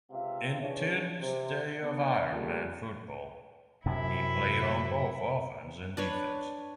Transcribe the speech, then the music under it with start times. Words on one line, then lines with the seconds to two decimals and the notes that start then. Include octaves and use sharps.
In Tittle's day of iron man football, he played on both offense and defense.
0.11 C#2 C3 F4 E5 F5
0.61 E3 C#4 D4 G#4 B4 C#5
1.21 C3
1.82 B3 D4
2.32 A#2 C#3 G3 A3
3.86 F#2 C3 E4
5.97 D4 B4 C#5